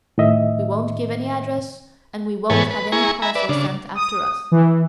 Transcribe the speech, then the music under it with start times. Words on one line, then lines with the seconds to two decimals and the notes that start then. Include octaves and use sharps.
We won't give any address, and we won't have any parcels sent after us.
0.18 A2 D#3 D#5 E5
2.50 G#2 E3 A4 B4 C#5 G#5
2.71 B4
2.92 E4 G#4 G#5 A#5 C#6
3.22 E5 G#5 A#5 B5
3.35 B4 D5 E5
3.49 C#3 D4
3.95 D#6
4.52 E3